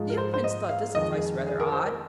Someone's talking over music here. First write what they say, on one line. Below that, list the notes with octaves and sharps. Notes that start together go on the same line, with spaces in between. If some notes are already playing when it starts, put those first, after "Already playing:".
The young prince thought this advice rather odd.
Already playing: G#2 F3 G#3
A#4
C5
C5
D#5
F5
F2 D#3 G#3 D#5
G#4
G#4
A#4
C5
A#4